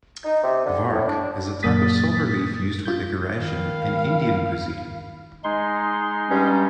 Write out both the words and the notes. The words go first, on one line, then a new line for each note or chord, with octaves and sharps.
Vark is a type of silver leaf used for decoration in Indian cuisine.
D#4
C3
D3
A2
D4
F#2 A#2 A#3 D#6 A6 B6
F4 G6
D#3 F5 B5
G#3 D#4 C6
G2 G3 C#4